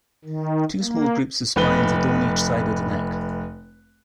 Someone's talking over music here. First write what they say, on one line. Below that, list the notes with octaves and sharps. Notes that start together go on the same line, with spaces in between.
Two small groups of spines adorn each side of the neck.
D#3
A#3
F1 B4 G7